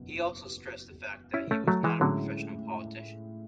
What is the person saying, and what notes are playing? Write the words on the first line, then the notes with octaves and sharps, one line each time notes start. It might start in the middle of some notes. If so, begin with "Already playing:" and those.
He also stressed the fact that he was not a professional politician.
Already playing: F#1 E2 B2 B3
C#4 E4
A3 C#4
F#3 A3
E3 G#3
A2 D3 F#3 G#3 C#4 E4